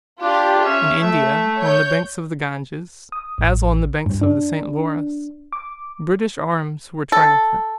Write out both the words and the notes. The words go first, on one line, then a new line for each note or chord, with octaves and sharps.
In India, on the banks of the Ganges, as on the banks of the St. Lawrence, British arms were triumphant.
D4 F4 G4
C#4 E5
A3
C#5 G6
D#6
A1
G2
D4
D6
A4